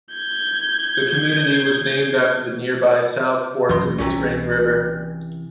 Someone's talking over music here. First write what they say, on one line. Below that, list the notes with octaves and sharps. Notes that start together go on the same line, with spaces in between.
The community was named after the nearby South Fork of the Spring River.
G6 G#6
E1 F#2 E3 C6
C2 C3 E3 C#4